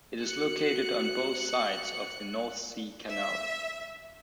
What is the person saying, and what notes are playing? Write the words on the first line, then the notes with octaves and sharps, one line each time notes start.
It is located on both sides of the North Sea Canal.
F#4 F#6 C#7
E5